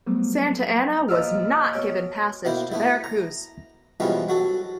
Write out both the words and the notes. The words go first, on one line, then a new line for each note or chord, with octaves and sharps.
Santa Anna was not given passage to Veracruz.
F#3 G3 A3 B3 C4
D#2 A#2 F3 D#5 E6 F6
B2 C#4
B2 A#3 E4 C5
A3 B3 E4
A#5
B2 E3 F3 G3 G#3 C#4
F#3 F#4 A4